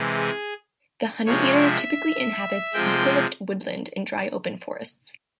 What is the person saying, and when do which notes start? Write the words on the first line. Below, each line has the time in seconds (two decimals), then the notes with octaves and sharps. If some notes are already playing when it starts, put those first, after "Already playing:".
The honeyeater typically inhabits eucalypt woodland and dry open forests.
Already playing: C3 E3 G#3
0.15 G#4
1.26 C3 F3 G#3 C#5
1.63 E5
2.74 C3 F3 G#3 G5